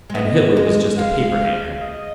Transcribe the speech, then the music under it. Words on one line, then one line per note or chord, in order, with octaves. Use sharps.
"And Hitler was just a paper-hanger."
G#3
B3 D#5
G#3
G#3 F5
D#5